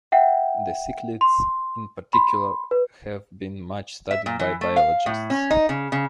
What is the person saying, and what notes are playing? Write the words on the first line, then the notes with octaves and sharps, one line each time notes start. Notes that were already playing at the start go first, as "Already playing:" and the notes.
The cichlids in particular have been much studied by biologists.
E5 F#5 G5
C6
B5 C6
B4
E5
A#2
E3
A3
F5
A2
C#4
D#4
C#3
C#3